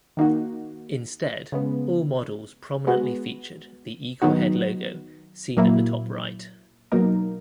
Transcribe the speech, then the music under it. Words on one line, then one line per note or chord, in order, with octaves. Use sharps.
Instead, all models prominently featured the Eagle head logo, seen at the top right.
D#3 A#3 D#4 F#4
C#3 G#3 B3
G#3 B3 F#4
D#3 F#3 B3 D#4 F#4
A#2 F#3 A#3 E4
B2 F#3 A#3 D#4 A#4